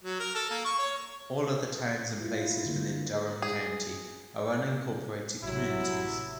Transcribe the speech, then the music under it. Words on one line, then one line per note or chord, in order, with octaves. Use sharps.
All other towns and places within Durham County are unincorporated communities.
F#3
A#4
A4
A#3
C#6
C#5
E4 F4
D3 A#3
G#4
A1 C3 F#3 E4